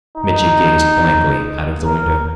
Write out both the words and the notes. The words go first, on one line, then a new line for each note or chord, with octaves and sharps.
Mitya gazed blankly out of the window.
D#4
A#4